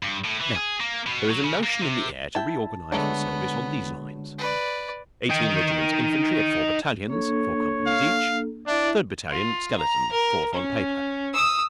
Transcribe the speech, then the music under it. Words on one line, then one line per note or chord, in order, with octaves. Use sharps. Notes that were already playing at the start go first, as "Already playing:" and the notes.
Now there is a notion in the air to reorganize the service on these lines:--Eighteen regiments infantry at four battalions, four companies each; third battalion, skeleton; fourth on paper.
G2
A2
E3
G#4
A#3
B2
F#3
C#3
A#3
C3
E4 G5 A5
D3 F#3 G#3 A3 B3 D4
B4 D5
D#4 G5
A#3 D4 A4 C#5
F5
D4 E4 D5 E5
F4
A#5
A#4
C#4
D#6 E6